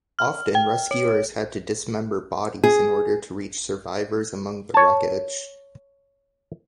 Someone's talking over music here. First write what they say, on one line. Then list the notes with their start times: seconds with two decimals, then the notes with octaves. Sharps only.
Often, rescuers had to dismember bodies in order to reach survivors among the wreckage.
0.19 F6
0.55 G5
0.91 C#5
2.64 G#4
4.74 C#5 A5